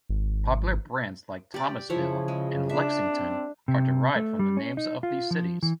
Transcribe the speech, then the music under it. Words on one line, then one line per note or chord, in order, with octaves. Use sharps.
Popular brands like "Thomasville" and "Lexington" are derived from the names of these cities.
G#1
G4 D5
C#3 F3 E4 C#5
G#3
D4 E5
C4
C3
A3
G3
C#4
D#4
F4
F3
E3